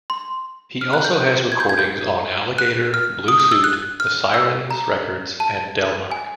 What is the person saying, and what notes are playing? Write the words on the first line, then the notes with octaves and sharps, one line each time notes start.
He also has recordings on Alligator, Blue Suit, The Sirens Records, and Delmark.
C6
F6
F#6
G6
G#6
G6
G#6
G6
F#6
F6
D#6
D#6
E6
F#6
F6
E6
A#5
A5
G#5